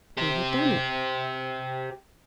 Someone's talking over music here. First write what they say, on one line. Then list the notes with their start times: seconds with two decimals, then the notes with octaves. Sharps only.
Who had done it?
0.18 G4 C5